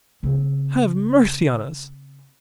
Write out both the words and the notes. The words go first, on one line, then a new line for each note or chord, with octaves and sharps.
"Have mercy on us!"
C#3 C4